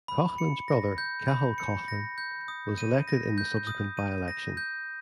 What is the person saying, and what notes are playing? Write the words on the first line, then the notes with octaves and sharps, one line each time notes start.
Coughlan's brother, Cathal Coughlan, was elected in the subsequent by-election.
B5
C#7
A#6
G6
B5
C#7
A#6
G6
D#6
D#7
A#6
G6
D#6
D#7
A#6
G6